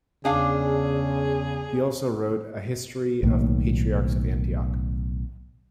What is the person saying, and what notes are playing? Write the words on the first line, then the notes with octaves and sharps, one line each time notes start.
He wrote also a "History of the Patriarchs of Antioch".
E2 C#3 D4 G#4 F5
B1 A2 D#3 A#3